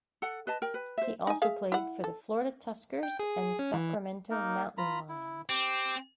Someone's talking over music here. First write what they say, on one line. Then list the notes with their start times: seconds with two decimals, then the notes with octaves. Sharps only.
He also played for the Florida Tuskers and Sacramento Mountain Lions.
0.22 A4 F#5
0.47 B4 D#5 A5
0.62 A#4 G5
0.74 B4
0.98 C5 E5
1.27 D#4 G#5
1.42 G#4 E5 F5
1.72 E4 F#5
2.04 A4
3.03 G5
3.19 G#4
3.41 G#4
3.59 C#4
3.74 E3
4.30 A#3 D#4 A#4
4.78 F4 A#5 B5
5.09 E4
5.49 C4 G4